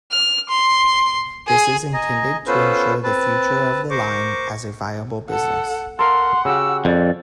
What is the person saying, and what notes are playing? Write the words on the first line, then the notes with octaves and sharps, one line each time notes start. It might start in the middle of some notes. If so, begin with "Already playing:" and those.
This is intended to ensure the future of the line as a viable business.
F6
C6
G#4
D#5 G#5 A#5
B3 C#4 F4 A4 B4 C5
C4 B4 A5
A#4 C5 C#6 D6
A4 F#5
A4 A#4 F5 F#5 C6
C#3 F#4 G4 E6
F2 D5